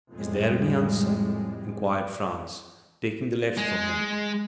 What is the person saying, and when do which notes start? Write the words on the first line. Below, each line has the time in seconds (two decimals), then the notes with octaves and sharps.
"Is there any answer?" inquired Franz, taking the letter from him.
0.12 F2 A2 G3 G#3
3.57 G#3